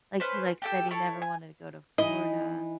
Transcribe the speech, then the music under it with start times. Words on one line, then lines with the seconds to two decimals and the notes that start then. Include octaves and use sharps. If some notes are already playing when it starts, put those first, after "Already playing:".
Like, he, like, said he never wanted to go to Florida
0.20 C#4 B4 C5
0.62 G4 A4 G5
0.91 E4 A4 C#5
1.22 G#5
1.98 E3 D#4 E4 D#5